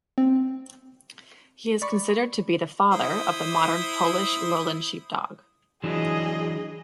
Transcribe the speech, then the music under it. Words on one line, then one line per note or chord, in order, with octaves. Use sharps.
He is considered to be the 'father' of the modern Polish Lowland Sheepdog.
C4
D5 B5 C#6
E4 C5 D#6
E3 F#3 D4 G#4 D#5